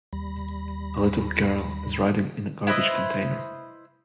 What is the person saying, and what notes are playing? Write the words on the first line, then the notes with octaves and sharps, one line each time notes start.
A little girl is riding in a garbage container.
D#2 G3 B5 A#6
E4 B4 C5 D#5